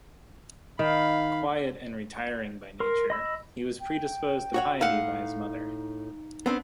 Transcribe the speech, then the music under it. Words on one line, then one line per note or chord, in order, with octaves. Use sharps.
Quiet and retiring by nature, he was predisposed to piety by his mother.
D#3 F5 B5
A#4 C6
D#5 B5 E6
G5
F#4 C#5 F#5
A2 D#4 F5 F#5
B3 C4 D4